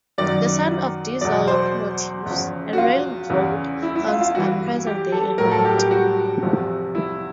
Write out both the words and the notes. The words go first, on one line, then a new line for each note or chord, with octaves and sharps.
The sound of diesel locomotives and railroad horns are present day and night.
F#2 D#3 F#3 D5
E2 B2 F#3 D5
C5
E2 C#3 F3
F#4
F4
E2 C#3 E3
E4
E4
F4
F4
G2 E3 F#4
G4
A4
A2 F#3 A#4
A4
G4
G4
F#4
E2 C3 F3
E4